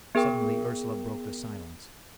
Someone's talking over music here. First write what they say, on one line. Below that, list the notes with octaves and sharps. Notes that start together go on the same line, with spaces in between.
Suddenly Ursela broke the silence.
B3 G#4 A#4 G5